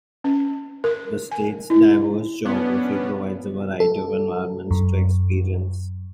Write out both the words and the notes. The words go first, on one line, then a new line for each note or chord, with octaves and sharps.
The state's diverse geography provides a variety of environments to experience.
C#4
A#4
G#5
E4
B3 C#4 D4
A4
F#2